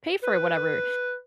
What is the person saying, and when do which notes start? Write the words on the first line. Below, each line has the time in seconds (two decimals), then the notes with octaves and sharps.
pay for whatever
0.23 B4